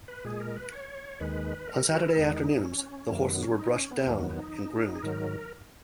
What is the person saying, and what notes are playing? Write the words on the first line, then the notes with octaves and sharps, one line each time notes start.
On Saturday afternoons the horses were brushed down and groomed.
B4
A#2 G#3 G#4
A#4
B4
C#5
D#2 D#3 G#3 B4
A#4
F#4
E4
E2 D#3 G#3 D#4
C#4
F#2 D#3 F#3 A#3
B3
C#4
D#4
C#4
B3
E2 D#3 F#3 A#3
B3
D#4
G#4
G#2 D#3 F#3 A#4